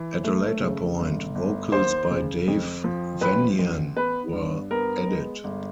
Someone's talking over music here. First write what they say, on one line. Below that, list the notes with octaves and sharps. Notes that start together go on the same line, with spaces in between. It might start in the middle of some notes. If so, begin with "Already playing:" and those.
At a later point, vocals by Dave Vanian were added.
Already playing: E3
A3
C#3
G1
G1
D#2 C5
C#3
F2
F3
A1 B4
A1
B3 B4
G2
B3 A#4
G#3
G1